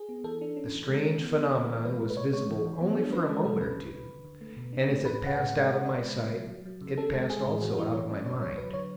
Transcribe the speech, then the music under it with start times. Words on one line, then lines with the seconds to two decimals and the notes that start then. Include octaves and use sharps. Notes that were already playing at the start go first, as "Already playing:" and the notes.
The strange phenomenon was visible only for a moment or two, and as it passed out of my sight it passed also out of my mind.
Already playing: G#4
0.09 B3
0.24 E3 A4
0.41 D4
0.56 C#4
0.72 E3
0.89 G#3
1.05 C#4
1.21 B3
1.37 B3
1.53 B3
1.69 E3
1.85 G#3 B4
2.00 G#3
2.10 B4
2.17 B2 C#5
2.33 G#3 C#5
2.49 E3
2.65 E3
2.81 B3
2.97 D4
3.13 C#4 B4
3.29 G#3 A4
3.45 B2 A4
3.61 C#4 B4
3.78 D3
3.94 D3
4.10 D3
4.25 D3
4.41 A3
4.57 B2
4.73 D4
4.89 A3
5.05 A2 B4
5.21 A2
5.27 F#5
5.37 A2
5.49 G#3 F#5
5.69 C#3 F#5
5.85 C#3 D5
6.02 G#3 B4
6.18 C#3
6.33 F#3
6.50 F#3
6.65 F#3
6.81 C#3
6.97 C#4 A4
7.14 G#3 A4
7.30 G#3 G#4
7.45 A2 G#4
7.62 E3 F#4
7.78 E3 E4
7.93 A3 C#5
8.09 C#4 D5
8.26 D3 C#5
8.42 F#3 C#5
8.58 F#3 B4
8.74 D3 C#5